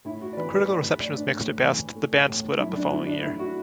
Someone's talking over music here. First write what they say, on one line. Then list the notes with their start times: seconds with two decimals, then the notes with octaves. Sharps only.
Critical reception was mixed at best, and the band split-up the following year.
0.05 A2 E4
0.21 F#4
0.33 D5
0.37 E3 B4
0.53 B4
0.68 A3 D5
1.00 A2 D5
1.16 D4
1.33 A2
1.64 E3
1.96 A3
2.28 A2
2.59 F#2 E4
2.75 D4
2.91 F#3 E4
3.07 D4
3.23 A3 E4
3.39 F#4